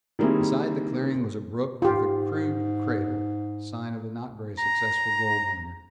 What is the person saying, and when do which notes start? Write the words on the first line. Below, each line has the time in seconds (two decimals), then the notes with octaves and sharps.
Beside the clearing was a brook, with a crude cradle--sign of a not very successful gold miner.
0.19 D#3 G3 A#3 C4 E4 G#4
1.82 G#2 F4 G4
4.58 A#5